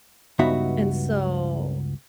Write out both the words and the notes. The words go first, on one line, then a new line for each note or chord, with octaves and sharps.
and so
C#2 G2 B3 D#4 F#4 E5